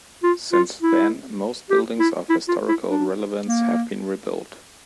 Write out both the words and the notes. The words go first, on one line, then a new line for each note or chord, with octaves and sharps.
Since then, most buildings of historical relevance have been rebuilt.
F4
F4
E4
G4
E4
E4
F4
E4
D4
A#3